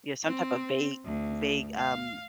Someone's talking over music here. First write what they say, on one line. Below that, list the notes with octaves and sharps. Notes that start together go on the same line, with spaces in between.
Yeah, some type of vague vague, um
C4
D2
F5